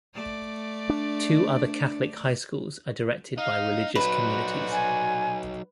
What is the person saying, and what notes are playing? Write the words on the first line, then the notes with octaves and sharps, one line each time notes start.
Two other Catholic high schools are directed by religious communities.
A3 D5
D4
D#4 F5
F#3 D#4 F#4 B4 C5 D5
G#5